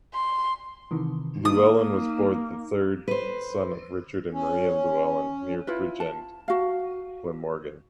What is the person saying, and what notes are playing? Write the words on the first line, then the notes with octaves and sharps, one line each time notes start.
Lewellin was born the third son of Richard and Maria Lewellin, near Bridgend, Glamorgan.
C6
C3 D#3 E3
A#3 D#4 D#6
B4 C5
C#4
E4 F4 B4
A5
F#4 F5